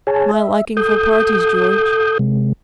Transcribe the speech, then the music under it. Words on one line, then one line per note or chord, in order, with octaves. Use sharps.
"My liking for parties, George."
G#4 C#5 G#5 A5
E5
A4 D#6 G6
C3 G#3